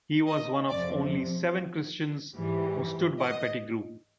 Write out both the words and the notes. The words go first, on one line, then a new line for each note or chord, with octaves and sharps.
He was one of only seven Christians who stood by Pettigrew.
D#5
F2 C3 F3 D5
G#2 E3 G3
D#5